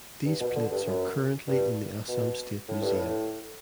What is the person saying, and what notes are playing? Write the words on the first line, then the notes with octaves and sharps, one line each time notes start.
These plates are currently in the Assam State Museum.
G2
B2
D3
G2
F#2
G2
B2
A2
G2
A2